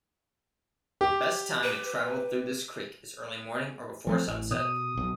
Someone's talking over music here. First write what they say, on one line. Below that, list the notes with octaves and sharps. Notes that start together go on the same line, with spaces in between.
The best time to travel through this creek is early morning or before sunset.
G4
B4
F3 A3 C4
A1
B2 D#6
B1